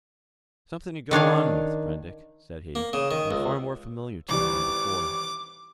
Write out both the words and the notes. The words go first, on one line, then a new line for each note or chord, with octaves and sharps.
"Something to go on with, Prendick," said he, in a far more familiar tone than before.
D#3 D4 C#5 F5
A#3
C#3
D#3
C#2
G#1 E3 G3 D6